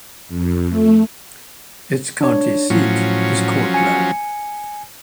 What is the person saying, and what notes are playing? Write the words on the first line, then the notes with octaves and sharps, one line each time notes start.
Its county seat is Courtland.
F2
A3
D4 C#5
A2 F3 F#3 C#4
G#5 C#7